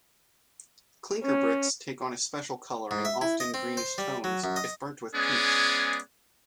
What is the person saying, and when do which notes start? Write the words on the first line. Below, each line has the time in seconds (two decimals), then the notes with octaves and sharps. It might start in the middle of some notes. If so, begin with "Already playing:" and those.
Clinker bricks take on a special colouring, often greenish tones, if burnt with peat.
1.23 C#4
2.91 G#2
3.05 E5
3.21 E4
3.40 D#5
3.54 C4
3.77 C5
3.98 G3
4.24 F#3
4.44 F#2
4.56 D#5
5.15 G#3 B3 C#4 G#4 D5